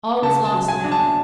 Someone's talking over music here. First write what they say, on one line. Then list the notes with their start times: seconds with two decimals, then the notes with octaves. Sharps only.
All was lost now.
0.22 C#3 A5
0.45 A5
0.54 F#3
0.68 G#5
0.84 D4
0.92 A5